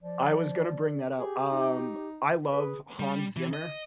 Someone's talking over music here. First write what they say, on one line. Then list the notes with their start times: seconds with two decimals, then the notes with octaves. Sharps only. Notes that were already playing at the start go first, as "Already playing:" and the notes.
I was gonna bring that up. Um, I love Hans Zimmer,
0.03 F3 D5
1.18 G4 G#4
1.52 D#4
2.52 G#4 B4
2.99 G3
3.36 E3
3.53 D#5